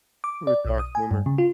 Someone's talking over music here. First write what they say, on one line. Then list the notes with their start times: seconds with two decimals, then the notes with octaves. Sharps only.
With dark humor.
0.24 D6
0.47 D5
0.65 B1
0.79 D#6
0.95 G#5
1.11 G2
1.26 C#3
1.38 F4